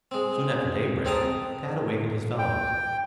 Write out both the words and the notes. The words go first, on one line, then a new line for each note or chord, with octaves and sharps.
Soon after daybreak, Tad awakened his fellows.
G#3 C4
G#2 C4 G5 A5 A#5 D#6
G5